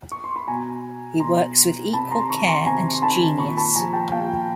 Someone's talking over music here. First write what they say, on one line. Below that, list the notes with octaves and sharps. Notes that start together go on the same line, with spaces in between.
He works with equal care and genius.
C#6
C6
B5
B2 G#5 A#5
B2 A#5 C6
C3 A5 B5
A#5 C6
D#3 B5 C#6
A#5 C6
C3 G#5 A#5
C6
D#3 A5 B5
A#2 B5 C#6
A5 B5
F3 G#5 A#5
G5 A5
A#2 F5 G5